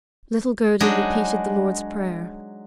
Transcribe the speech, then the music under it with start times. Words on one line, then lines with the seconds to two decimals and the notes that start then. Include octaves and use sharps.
Little Gerda repeated the Lord's Prayer.
0.80 F#3 G#3 D4 D#4 G#4